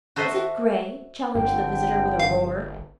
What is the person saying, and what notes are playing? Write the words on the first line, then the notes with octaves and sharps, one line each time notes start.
"Is it grey!" challenged the visitor, with a roar.
F#4 A4 C5 D#5 E5 F#5
G1 D3 C4 D4 G5
F5